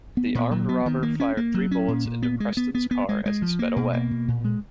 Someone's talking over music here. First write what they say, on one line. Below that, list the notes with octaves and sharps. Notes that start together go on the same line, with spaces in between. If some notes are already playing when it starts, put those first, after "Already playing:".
The armed robber fired three bullets into Preston's car as he sped away.
B3
A#2
F#3
B3
D#3
A#3
C#4
A#3
F#3
C#4
A#2
A#2
B3
G#3
B3
B3
B3
G#3
G#3
F3
A#3
B2
A#3
B2
A#2
G#3